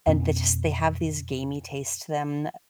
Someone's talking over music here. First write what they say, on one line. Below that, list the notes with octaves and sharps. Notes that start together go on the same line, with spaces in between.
and they just they have these gamey taste to them
F2 B2 B3 C#4